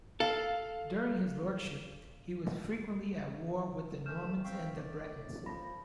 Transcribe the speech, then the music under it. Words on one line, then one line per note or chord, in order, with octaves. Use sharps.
During his lordship, he was frequently at war with the Normans and the Bretons.
A4 F5
D#3 E3 A3 F6 G6 E7
C4 E5 F5 G5 C#6
A2 D5
F3 B5 A#6